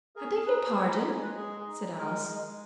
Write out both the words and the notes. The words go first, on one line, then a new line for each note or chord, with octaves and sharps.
'I beg your pardon?' said Alice.
G#4 A#4
D#4 B4
G#3 C#5
D#5
G#3 C#5
B4
G#4
D#4
G#3 A#4
G#3